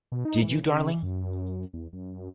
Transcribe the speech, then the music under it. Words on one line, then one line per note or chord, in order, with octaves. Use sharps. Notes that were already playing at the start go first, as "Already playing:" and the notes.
Did you, darling?
B2
D#4
E3
C#3
F#2
E2
F#2